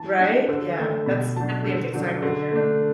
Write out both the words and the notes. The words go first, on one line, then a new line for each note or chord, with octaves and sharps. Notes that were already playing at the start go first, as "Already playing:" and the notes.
Right? Yeah, that's definitely a big sign right there.
Already playing: E3 A5
D4
D3 E6
A3 D4 E6
B2 B5
F#3 D4 A5
D3 E6
F#3 D4
D3
A3 D4